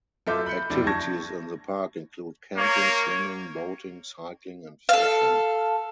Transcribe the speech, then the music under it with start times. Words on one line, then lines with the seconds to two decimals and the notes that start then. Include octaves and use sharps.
Activities in the park include camping, swimming, boating, cycling and fishing.
0.27 F#2 F4 A4 E5 D6 G6
0.46 B5 G6 C#7
0.70 F1 F#2 D4 E4
0.87 A5 C#6 G#6 A#6
2.57 A#3 C#5
4.89 A4 F5